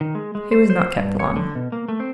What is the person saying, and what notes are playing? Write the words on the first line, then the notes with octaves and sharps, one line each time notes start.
He was not kept long.
D#3
G#3
G#3
C5
C5
G2
C#5
D3
B2
A#3
A3
C4